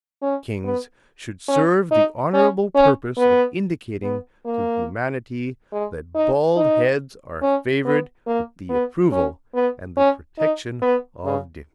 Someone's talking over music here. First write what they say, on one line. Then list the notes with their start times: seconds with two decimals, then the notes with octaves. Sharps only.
Kings should serve the honorable purpose of indicating to humanity that bald heads are favored with the approval and the protection of Divinity.
0.22 C#4
0.64 B3
1.48 C#4
1.91 D#4
2.34 C#4
2.75 C#4
3.18 B3
4.03 B3
4.46 A#3
5.72 G#3
6.15 D#4
6.57 D#4
7.42 C#4
7.85 B3
8.27 A#3
8.69 B3
9.12 C#4
9.54 B3
9.97 C#4
10.39 D#4
10.82 B3
11.24 C#3